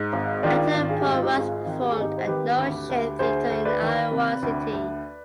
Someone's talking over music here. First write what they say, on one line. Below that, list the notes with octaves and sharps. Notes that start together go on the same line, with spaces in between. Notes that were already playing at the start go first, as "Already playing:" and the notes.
Actor Paul Rust performed at No Shame Theatre in Iowa City.
Already playing: G#2
G#1
D#3 D4 F4
G#1
G#4
G#2 G4
F4
D#4 G4
G#1 F4 G#4
D#3
G4
G#4
G#1 D#4 G4
C5
D#3 G4 B4
D2
D2
D2 G#4 C5
D2
B4 D5
D#3
C3
D2
D2